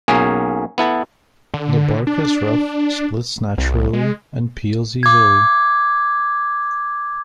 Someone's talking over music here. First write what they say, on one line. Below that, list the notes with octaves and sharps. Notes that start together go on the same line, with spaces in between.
The bark is rough, splits naturally, and peels easily.
B1 A#3 C#4 G#4
B3 E4 A4
D3
D4
C2
G#3
D6 G#6